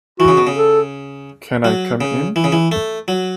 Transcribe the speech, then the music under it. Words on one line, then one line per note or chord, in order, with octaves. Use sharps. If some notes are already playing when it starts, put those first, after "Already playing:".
Can I come in?
E3 F#4
C#3
B2
C#3
A4
F#3
C#3
E3
C#3
E3
A3
F#3